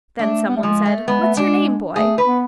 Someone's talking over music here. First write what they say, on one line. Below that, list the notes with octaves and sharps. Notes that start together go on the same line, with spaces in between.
Then someone said, "What's your name, boy?"
A3 D4
B3
A3
F3 G#3
A3
G#3 B3
A3
G#3 D4
A3 G#4
B4
B3